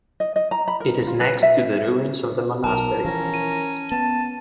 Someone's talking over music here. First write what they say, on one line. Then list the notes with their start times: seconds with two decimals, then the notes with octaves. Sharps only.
It is next to the ruins of the monastery.
0.20 D#5
0.36 D#5
0.51 A#5
0.68 B5
0.80 A#4
1.07 F4
1.20 B4
1.43 E5
2.64 B1 A#4 A5
3.05 E3 F3 C#4 A#4
3.34 D#7
3.92 B3 A5